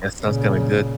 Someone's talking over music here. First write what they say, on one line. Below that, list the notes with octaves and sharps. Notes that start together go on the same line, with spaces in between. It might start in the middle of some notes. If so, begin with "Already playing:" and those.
That sounds kinda good.
A#2 C#3